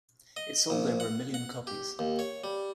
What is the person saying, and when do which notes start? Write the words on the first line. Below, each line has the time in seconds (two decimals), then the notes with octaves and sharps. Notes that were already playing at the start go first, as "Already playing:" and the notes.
It sold over a million copies.
0.37 D#5
0.70 A#1
1.00 F#5
1.34 F#5
1.67 G4
1.99 D#2
2.19 C#5
2.44 G3